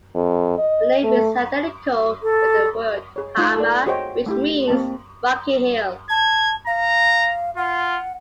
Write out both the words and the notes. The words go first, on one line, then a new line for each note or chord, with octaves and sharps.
The name is identical with the word "hamarr" which means "rocky hill".
F2
D#5
A3
A4
G#4 C#5
A3 D#4 F4
A4 D5
F#4 G#4 C5 C#5 D#5 G5
A3 E4 G4
A#3 C4 D#5 A5
A5 G#6
F5 A#5
F4 F#5